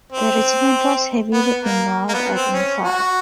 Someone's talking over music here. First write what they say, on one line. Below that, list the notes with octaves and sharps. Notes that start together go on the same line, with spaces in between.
The regiment was heavily involved at Imphal.
C4
B3
A#3
A#3
B3
C4
C#4
F#4